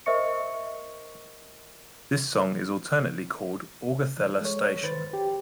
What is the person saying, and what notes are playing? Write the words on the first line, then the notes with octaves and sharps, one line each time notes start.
This song is alternately called "Augathella Station".
A#4 C5 D#5 E5 C#6 C#7
E3
G#3 A4 C#5
D#3 B4 C5 A6
G4